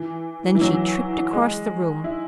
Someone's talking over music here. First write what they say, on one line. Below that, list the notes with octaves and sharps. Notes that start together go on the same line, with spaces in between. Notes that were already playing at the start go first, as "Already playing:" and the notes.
Then she tripped across the room.
Already playing: E3
E3
F#3
G#3
E4